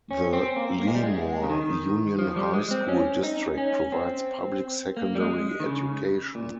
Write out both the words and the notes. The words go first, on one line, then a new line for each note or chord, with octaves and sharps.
The Lemoore Union High School District provides public secondary education.
C#4
C4
A#3
A#3
G#3
G3
G#3
C#3
D#3
F3
G3
G#3
C4
C#4
D#4
C#4
C4
A#3
G3
G#3
D#3
C#3
A#2